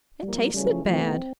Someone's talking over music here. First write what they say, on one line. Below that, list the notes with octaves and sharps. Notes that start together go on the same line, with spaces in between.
It tasted bad.
A2 F3 G3 A#3
G3
C#3 E3 G3 A3 C#4
F#3
F3
C3 E3 F3 A3
C4
B3
C4